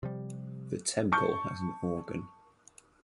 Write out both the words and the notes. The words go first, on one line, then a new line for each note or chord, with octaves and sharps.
The temple has an organ.
C3 F3 G3
A5 C#6 G6